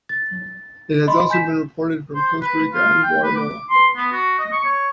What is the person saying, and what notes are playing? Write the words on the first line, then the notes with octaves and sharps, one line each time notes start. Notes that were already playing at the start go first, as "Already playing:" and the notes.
It has also been reported from Costa Rica and Guatemala.
A6
D#5 B5 C6
G#5 G6 B6 E7
C5
B4
F4
G5
B4
D6
C6
B3
F#4
D#5
C#6
C#5